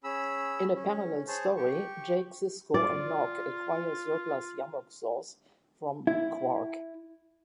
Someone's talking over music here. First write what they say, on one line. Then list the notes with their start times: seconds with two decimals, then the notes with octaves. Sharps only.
In a parallel story, Jake Sisko and Nog acquire surplus yammok sauce from Quark.
0.04 C#4 G#4 B5 E6
0.75 C#4
1.28 G#4 C5 C#5 A5
1.57 G4 C#6
2.74 F4 D5
6.07 E4